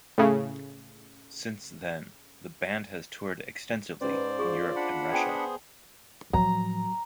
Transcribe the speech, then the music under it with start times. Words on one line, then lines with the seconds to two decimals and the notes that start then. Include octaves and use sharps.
Since then the band has toured extensively in Europe and Russia.
0.18 A2 C#3
4.01 G#2 C#4 B4 C5 D5
4.39 F4 G#4 C#6
4.76 D4 F#5 B5
5.12 B3 G#4 C5 D5 G5 A5
6.33 A2 F3 F#3 A#5